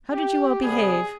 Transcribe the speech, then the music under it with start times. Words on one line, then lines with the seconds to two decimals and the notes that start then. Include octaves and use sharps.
How did you all behave?
0.12 G4
0.61 C3 G3 B3 G#4